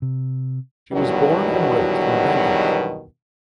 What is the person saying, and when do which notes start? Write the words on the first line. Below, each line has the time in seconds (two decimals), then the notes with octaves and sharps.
She was born and raised in Bangkok.
0.02 C3
0.93 E2 G2 B2 D#3 F#3